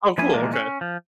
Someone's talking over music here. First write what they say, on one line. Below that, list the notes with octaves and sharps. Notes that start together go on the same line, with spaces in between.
Oh, cool, okay.
F3 A#3 E4 G#4 G#5
A#2 E3 F3 G#3 A#3
C#4
F3